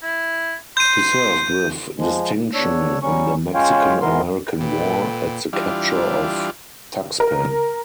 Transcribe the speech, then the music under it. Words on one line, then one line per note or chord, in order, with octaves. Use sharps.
He served with distinction in the Mexican-American War at the capture of Tuxpan.
E4
C6 G6 D#7
F3 G#3
E2 D4 C#5 E6
F#3 G3 C#4 C#6
G#3 C#4 F4 C#5 F5 G5
G#2 B2 E3 B3 A#4 C6
A#2 A4 B4 G5
E3 G3 D4 F4
A#4